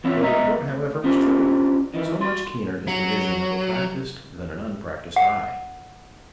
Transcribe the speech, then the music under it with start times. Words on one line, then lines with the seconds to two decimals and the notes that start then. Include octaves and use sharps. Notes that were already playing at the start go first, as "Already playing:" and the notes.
Their report, however, was true; so much keener is the vision of a practiced than an unpracticed eye.
0.04 E3 C4 E4 F4 C#5
0.21 B2 G#3 D#5 E5 A#5
0.69 D2
1.04 C#4 D4 F4 G4 C5
1.94 D#3 E3
2.21 F#4 C6
2.88 F#3
5.16 F#5